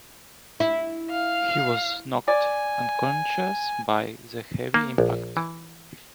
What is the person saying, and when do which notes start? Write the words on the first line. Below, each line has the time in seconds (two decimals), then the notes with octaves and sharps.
He was knocked unconscious by the heavy impact.
0.60 E4
1.10 F5
2.28 D5 G#5
4.74 A#3
4.98 A#1
5.37 E3